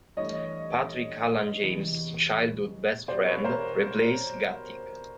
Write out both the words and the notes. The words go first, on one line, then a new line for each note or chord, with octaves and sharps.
Patrick Hallahan, James' childhood best friend, replaced Guetig.
G2 E3 A3 C#5 D#5
E2 C3 E3 G3
B2 G3 C5 D5
B4 C#5
A#4 C5